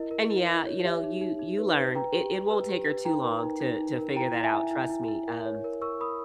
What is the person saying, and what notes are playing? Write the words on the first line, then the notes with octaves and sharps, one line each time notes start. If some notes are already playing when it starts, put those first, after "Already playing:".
and yeah, you know, you you learn. It it won't take her too long to to figure that out, trust me, um,
Already playing: E4 A#4 D#5
A#4
E4
E4
C#5
G4 E5
D#4
D#4
D#4
B4
B4
B4 G5 A#5
G4
G4
B4
G4
B4
D#4 G5 A#5
A#4
D#4
D#4
D#4
A#4
E4 G5 A#5
E4
E5 G#5
E4
E4
E4
E4
A#4
C#5
A#4
A#4 C#6 E6
A#4 B5 D#6